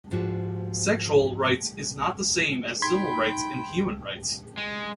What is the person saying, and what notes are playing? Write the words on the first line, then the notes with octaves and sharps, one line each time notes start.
Sexual rights is not the same as civil rights and human rights.
G#2 F3 D4 F#4 G4
D#4 G5 B5 C6 G#6 B6
G#3